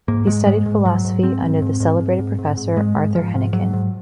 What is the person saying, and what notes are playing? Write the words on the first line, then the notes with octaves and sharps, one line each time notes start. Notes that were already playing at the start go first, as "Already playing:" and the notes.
He studied philosophy under the celebrated Professor Arthur Hennequin.
G#2 A#3
G#2 G#3
G#2 G#3
G#2
G#2 F#3
G#2
G#2 C4
G#2
G#2
G#2
G#2
G#2
G#2
G#2
G#2 G#3
G#2
G#2 F3
G#2
G#2 F#3
G#2